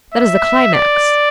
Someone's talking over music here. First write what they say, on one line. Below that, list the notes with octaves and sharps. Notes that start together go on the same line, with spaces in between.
That is the climax.
E5
D5